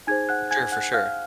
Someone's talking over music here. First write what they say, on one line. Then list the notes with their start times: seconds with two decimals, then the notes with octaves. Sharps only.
For sure, for sure.
0.07 D#4 G#4 C5 G#5 G#6
0.29 F#5 F#6
0.51 G#5 G#6
0.72 F#5 F#6
0.94 F5 F6